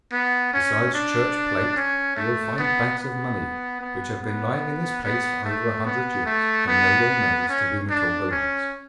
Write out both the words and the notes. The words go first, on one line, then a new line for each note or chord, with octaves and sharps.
Besides church plate, you will find bags of money, which have been lying in this place for over a hundred years, and no one knows to whom it all belongs.
B3
C#4
D4
C#4
A3
B3
B3
B3
B3
B3
A3
B3
A3
B3
C#4
D4
C#4